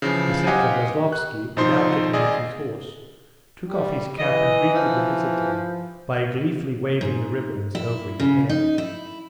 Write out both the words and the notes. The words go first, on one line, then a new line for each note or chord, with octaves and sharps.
Vassenka Veslovsky, without getting off his horse, took off his cap and greeted the visitor by gleefully waving the ribbons over his head.
C#3 E3 F3
G4 C5 D#5 F5 F#5 G#5
F#6
G#1 F3 D#4 C5 C6
G#1 G#4 D5 D#5
G3
E3 D#5
F3
G#2
E4
C#3
D#4
E4